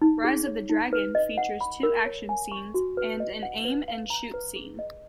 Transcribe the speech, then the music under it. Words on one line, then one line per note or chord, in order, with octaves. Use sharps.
"Rise of the Dragon" features two action scenes and an aim-and-shoot scene.
D#4
G#4
C#5
D#4
B4
D#5
F#5
B5
A#4
C#5
G#5
C#6
F#4
B4
D#5
F#5
B4
F5
A#5
B4
G#4
D#5